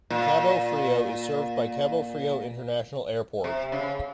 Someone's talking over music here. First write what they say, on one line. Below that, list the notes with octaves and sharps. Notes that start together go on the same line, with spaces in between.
Cabo Frio is served by Cabo Frio International Airport.
A#2
C3
C#3